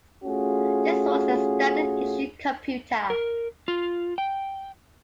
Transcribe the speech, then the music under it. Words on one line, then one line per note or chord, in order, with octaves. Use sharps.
This was the standard issue computer.
A3 C#4 F4 F#4 G#4
A#4
F4
G5